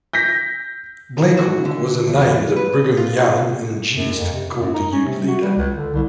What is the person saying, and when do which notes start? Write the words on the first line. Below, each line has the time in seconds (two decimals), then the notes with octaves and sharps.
"Black Hawk" was a name that Brigham Young, in jest, called the Ute leader.
0.13 G6 A#6 B6
1.37 F#4
1.65 D3
2.07 E2
2.56 B4
2.97 F4
3.96 F#2
4.17 F2
4.33 C3
4.60 F#2
4.74 D#4
4.92 C#4
5.06 C3
5.28 F#4
5.41 G3
5.57 C#2
5.75 D3
5.94 C2